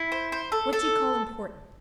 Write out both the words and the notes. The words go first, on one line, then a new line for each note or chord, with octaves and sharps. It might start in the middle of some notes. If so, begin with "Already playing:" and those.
"What do you call important?"
Already playing: E4
C5
C5
A4
A4